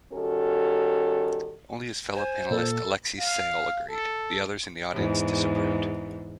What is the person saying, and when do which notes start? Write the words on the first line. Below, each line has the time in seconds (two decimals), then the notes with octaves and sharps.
Only his fellow panellist Alexei Sayle agreed; the others and the audience disapproved.
0.13 D#3 G3 C#4 F#4 A4
2.15 C5 G#5
2.50 A#2 A4
3.19 F5
3.89 A4
4.93 E2 G#2